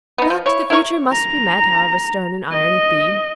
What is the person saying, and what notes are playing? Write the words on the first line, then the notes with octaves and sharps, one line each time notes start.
But the future must be met, however stern and iron it be.
B3 D#4
F3
E4 C#5
E4 A#4 E5 C#6
A#5
D#5